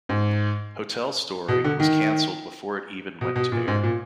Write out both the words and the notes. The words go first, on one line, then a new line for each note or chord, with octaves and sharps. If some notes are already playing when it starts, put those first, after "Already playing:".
"Hotel Story" was cancelled before it even went to air.
G#2
B2
D3
D#3
B2
B2
A#2
G#2
A#2